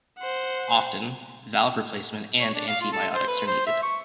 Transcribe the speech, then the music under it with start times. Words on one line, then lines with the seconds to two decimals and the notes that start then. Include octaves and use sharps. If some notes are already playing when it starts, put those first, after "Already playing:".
Often, valve replacement and antibiotics are needed.
0.19 C5 F#5
2.39 C#5
2.54 D4
2.68 F5
2.81 F4
2.93 A4
3.14 C5
3.28 B4
3.47 C5
3.67 E5
3.83 C#6